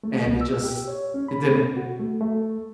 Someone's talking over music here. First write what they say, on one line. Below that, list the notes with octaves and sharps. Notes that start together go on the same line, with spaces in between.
and it just it didn't,
A3
C2
E6
G4
C#5
C#4
B5
B2
F#4
A3
A3